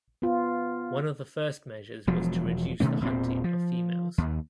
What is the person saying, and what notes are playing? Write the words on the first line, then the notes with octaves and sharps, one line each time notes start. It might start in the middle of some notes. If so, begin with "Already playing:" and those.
One of the first measures was to reduce the hunting of females.
B3 F4
E1 F3 F#3
B2 D#3 A3 C#4
E1 A#2 A#3 C4
F3
D#2